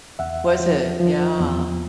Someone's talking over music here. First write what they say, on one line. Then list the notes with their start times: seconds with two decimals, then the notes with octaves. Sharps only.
Was it, yeah,
0.19 E2 E5 F#5
0.60 F3
1.00 F3
1.40 E2